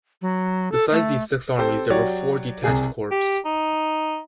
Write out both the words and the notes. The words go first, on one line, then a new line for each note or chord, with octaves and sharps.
Besides these six armies there were four detached corps.
F#3
A4
A3
C4 G4 A4 C5
F#3 F#4 G4 C#5 D5
C2 C3 G#4
G4
D#4